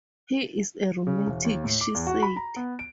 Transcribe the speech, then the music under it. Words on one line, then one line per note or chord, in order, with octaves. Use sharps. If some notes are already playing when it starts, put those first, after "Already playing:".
"He is a romantic," she said.
C#3
E1
D#2
A2
D6
E2
F#4
B5
A#5
B3
D7